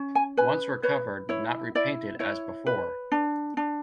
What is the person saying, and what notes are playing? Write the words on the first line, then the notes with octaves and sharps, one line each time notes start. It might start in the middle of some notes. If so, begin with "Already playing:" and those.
Once recovered not repainted as before.
Already playing: C#4
G#5
B4 G#5
B4 C#5
E4 C#5
E4 D5
E4 C#5
B4
D4
D4